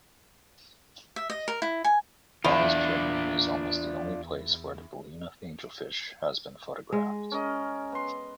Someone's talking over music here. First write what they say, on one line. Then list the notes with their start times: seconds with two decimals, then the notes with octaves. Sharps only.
Ball’s Pyramid is almost the only place where the Ballina angelfish has been photographed.
1.16 E5
1.30 D#5
1.48 A#4
1.62 E4
1.84 G#5
2.44 E2 D4 F4
6.92 G#3
7.32 C#4 A#4 D#5
7.92 B3 C6